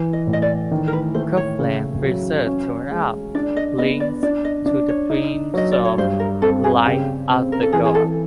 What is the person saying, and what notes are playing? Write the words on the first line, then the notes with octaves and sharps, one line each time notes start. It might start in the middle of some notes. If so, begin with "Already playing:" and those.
Coupland's research turned up links to the themes of "Life After God".
Already playing: E3
D#5
A2
D#5
D5
D#3
A#4
B4
A3 C5
C#5
C#3
F#3
C#4
G#3
D4 D5
D#5
B3 D#5
D5
D4 D5
D#5
D4
C#5
D#4
F#3 D#5
D5
C#5
G2 C5
A#4
C4 A4
G#4
C#3 G4
C4
A#4
A4
E3 G#4
G#4
A4